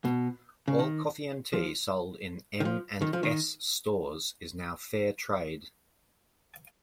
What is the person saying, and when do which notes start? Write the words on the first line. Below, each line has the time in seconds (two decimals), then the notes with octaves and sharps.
All coffee and tea sold in M and S stores is now Fairtrade.
0.05 B2
0.68 C#3
0.79 D#3
1.53 F3
2.60 D#3
2.65 F3
3.02 D#3
3.13 F3
3.23 D#3